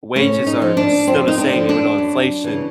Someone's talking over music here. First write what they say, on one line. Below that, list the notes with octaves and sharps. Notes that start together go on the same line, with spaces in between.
wages are still the same even though inflation
A2 C#4
D#4
F3
D4
F2 C4
D#4
D4
D3 F3
D4
F#2
C#3 E3